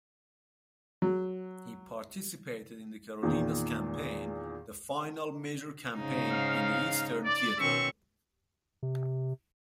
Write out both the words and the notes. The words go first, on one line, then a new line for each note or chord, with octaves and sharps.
He participated in the Carolinas Campaign, the final major campaign in the Eastern Theater.
F#3
E2 A#2 D#3
G#2 C#3 D#4
F5
D5
B2 D#3 C4 C#4 E5 C#6
C3